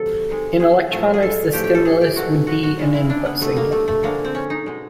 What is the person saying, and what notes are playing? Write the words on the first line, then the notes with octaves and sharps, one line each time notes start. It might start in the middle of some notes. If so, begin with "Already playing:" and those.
In electronics this stimulus would be an input signal.
Already playing: C3 D#3 F#3 A3 A4
C3 D#3 G#3
G#4
A2 F#3 A3
G#4
A4
A2 F3 A3 G4
G4
A4
G#4
G4
A#2 F#3 A3 F#4
F#4
F#4
C#3 E3 G#3 F4
E4
D4
B3
B2 G3 A3
A#3
A3
A3
D3 F3 G#3 A#3
C4
C#4
D#4
B2 G#3